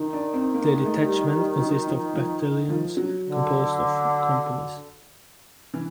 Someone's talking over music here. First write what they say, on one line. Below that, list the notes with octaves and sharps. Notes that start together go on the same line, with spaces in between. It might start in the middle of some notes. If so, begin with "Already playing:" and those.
The detachment consists of battalions composed of companies.
Already playing: D#3
D4
C4
A#3
G#3
A3
G#3
G3
G3
F#3
F3
F3
F3
F#3
D3
E3